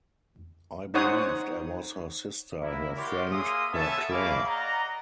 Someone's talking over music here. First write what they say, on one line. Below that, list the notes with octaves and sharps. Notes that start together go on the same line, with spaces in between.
I believed I was her sister, her friend, her Claire.
D#4 C5 C#5 F#5 D#6
A#3 E4 A#4
F#4 G4 A#4 C#5 D5 C6
A#3 G#4 E5 C6 D#6
B3 A4 C#5 E5 G#5 A5
A#3 G#4 C#5 F5 B5 D6
D5 D#5 F#5 A#5